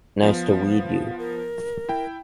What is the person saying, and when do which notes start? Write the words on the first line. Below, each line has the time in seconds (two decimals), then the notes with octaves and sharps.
Nice to "weed" you!
0.23 F3 B3 F5
1.19 A#4
1.89 E4 G5